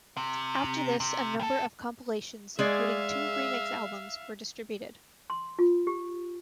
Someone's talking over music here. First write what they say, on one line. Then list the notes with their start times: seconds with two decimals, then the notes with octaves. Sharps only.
After this, a number of compilations, including two remix albums, were distributed.
0.17 C3
1.00 C3
1.40 C2 A4
2.59 G#3 G#4 D5 E5 F5
5.30 C6
5.59 F4
5.87 G4